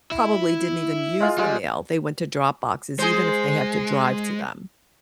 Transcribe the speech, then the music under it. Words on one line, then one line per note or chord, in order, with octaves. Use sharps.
probably didn't even use the mail. They went to drop boxes even if they had to drive to them.
E4
G#3 F4
G3 G#3 F4
G#3 G#4 C5